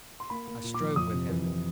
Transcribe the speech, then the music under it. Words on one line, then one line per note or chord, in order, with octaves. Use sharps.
I strove with him.
C6
A#3 B5
A#3
A#2
D6
F3
F2 D#6
C3
E3
E3